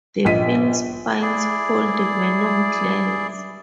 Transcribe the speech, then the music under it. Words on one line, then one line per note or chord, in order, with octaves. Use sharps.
The fin spines hold venom glands.
A#1 D#5 B6 D#7
E4 G#4 D5